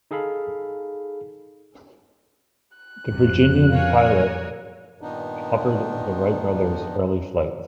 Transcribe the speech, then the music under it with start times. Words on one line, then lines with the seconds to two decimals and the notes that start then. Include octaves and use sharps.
The Virginian-Pilot covered the Wright brothers' early flights.
0.11 D#4 G#4 A4 F5 B5
2.77 F#6
3.09 G1 F2 C3 F3
3.71 A#4 C#5 F5 G#5
5.01 G2 A#2 D#3 B3 D4 D#4